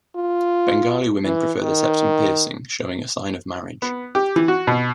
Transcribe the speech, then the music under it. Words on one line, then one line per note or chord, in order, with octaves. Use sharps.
Bengali women prefer the septum piercing showing a sign of marriage.
F4
E3
D#3
B3
G4
E3
F#4
B2